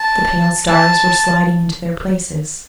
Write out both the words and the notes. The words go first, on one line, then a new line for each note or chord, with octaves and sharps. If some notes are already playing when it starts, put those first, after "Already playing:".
The pale stars were sliding into their places.
Already playing: A5
A5